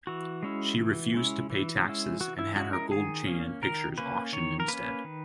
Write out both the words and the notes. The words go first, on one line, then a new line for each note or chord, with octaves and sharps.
She refused to pay taxes and had her gold chain and pictures auctioned instead.
E3 F#4
G#3 C#4 E4
E3
G#3 C#4 E4
E3
G#3 C#4 E4
E3 F#4
E4
G#3 C#4 E4 F#4
A#4
D#3 G#4
A#3 C#4
D#3 A#4
A#3 C#4 B4
D#3 C#5
A#4
A#3 C#4 B4
D#3